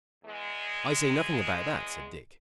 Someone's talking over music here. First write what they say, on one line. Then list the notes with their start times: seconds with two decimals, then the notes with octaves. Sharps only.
"I say nothing about that," said Dick.
0.25 E2 G#3